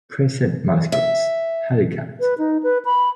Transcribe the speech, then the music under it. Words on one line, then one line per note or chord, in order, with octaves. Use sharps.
Present Mascots: Halicat.
E5
B4
D#4
B4
B5